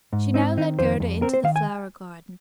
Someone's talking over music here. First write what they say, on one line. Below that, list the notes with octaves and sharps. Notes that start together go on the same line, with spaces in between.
She now led Gerda into the flower-garden.
G#2
C4 D#4
D#3 D#4
F2 C5
F2
C4 A#4
C5
D#3 F5
G#5